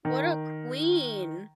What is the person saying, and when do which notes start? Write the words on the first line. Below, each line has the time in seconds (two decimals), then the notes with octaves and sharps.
What a queen!
0.05 D#3